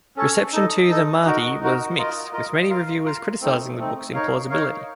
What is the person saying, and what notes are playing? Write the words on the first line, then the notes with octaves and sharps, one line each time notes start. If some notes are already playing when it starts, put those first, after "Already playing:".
Reception to "The Mahdi" was mixed, with many reviewers criticizing the book's implausibility.
C#4 A4 C#5
D#4 A4 D#5
D#4 A4 D#5
D#4 F#4 A#4
D#4 F#4 A#4
F4 A#4 D#5
F4 A#4 D#5
F4 A#4 F5
F4 A#4 F5
A3 C4 D#4
A3 C4 D#4
D#4 A#4 C#5 F5
D#4 A#4 C#5 F5